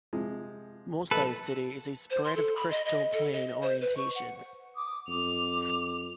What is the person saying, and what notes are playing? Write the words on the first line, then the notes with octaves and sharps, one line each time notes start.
Mosaicity is a spread of crystal plane orientations.
C3 F3 G#3
A#1 A4 B4
C5
C6
A4
B5
D#5
D#5
A4
D#5
C5
B4
C#6
F#5
D6 D#6
F2 D6 F7